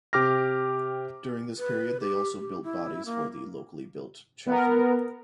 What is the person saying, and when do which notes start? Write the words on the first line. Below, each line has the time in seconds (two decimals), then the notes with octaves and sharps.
During this period, they also built bodies for the locally built Chatham.
0.13 C3 G4 D6 F6 A#6
1.57 B4
2.00 G4
2.39 G4
2.63 E4
3.06 A#3
4.46 B3 A#4